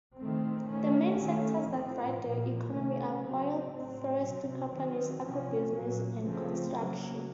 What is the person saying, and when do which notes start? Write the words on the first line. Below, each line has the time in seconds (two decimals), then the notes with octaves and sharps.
The main sectors that drive the economy are oil, forestry companies, agribusiness, and construction.
0.17 D#3 A3 C4
0.68 D#3 A3 C#4
1.19 D#3 A3 C#4
1.68 A2 F3 C4
2.20 A#2 F3 A#3
2.70 C3 D#3 A3 C#4
3.20 C#3 F#3 C4
3.71 A2 F#3 C4
4.21 C3 F#3 C4
4.72 D#3 F#3 C4
5.22 C3 F3 A#3 C#4
5.73 A#2 F#3 A#3
6.23 C#3 F3 A3 C4
6.73 C#3 F#3 A#3